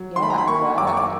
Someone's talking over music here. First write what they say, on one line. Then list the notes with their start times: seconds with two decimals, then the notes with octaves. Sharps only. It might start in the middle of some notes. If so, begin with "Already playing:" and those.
Yeah, I bet.
Already playing: F#3
0.16 D#3 C6
0.22 B5
0.30 A#5
0.38 B5
0.47 A#3 C#6
0.77 F#2 D6
0.87 C#6
0.97 D6